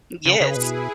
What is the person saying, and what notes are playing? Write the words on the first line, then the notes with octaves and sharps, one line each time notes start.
Mm, yes,
C#3 G#4 B4
C#3
B2 E4 G#4